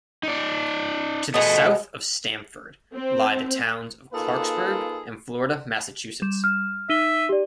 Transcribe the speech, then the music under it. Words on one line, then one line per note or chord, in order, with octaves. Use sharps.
To the south of Stamford lie the towns of Clarksburg and Florida, Massachusetts.
D#4 D5
B2 A3 G#4 D#5
C4
A#3 D#4 F4 G#4 A4 B4
G3 E7
F6
D#4 E5 D#7 G7
G4 D5